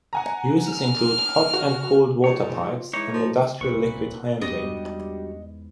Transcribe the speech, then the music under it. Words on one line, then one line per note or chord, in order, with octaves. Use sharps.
Uses include hot and cold water pipes, and industrial liquid handling.
F#5 G#5 A#5
F6
F#4
G#2 F4 C#5
E3 G#3 D#4 C#5
F3 F#4
D1 C2 A#2 C4 B4 C#6
E2 G#2 G3 B3 D4 F#4 G4 D#5